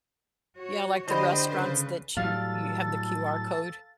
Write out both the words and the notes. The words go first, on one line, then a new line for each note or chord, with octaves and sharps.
Yeah, like the restaurants that you you have the QR code,
F#4 C#5
D3 E4 G4 C5 D5 D#5 B5
C#3 B4
A2 F#3 G3 A4 F5 A6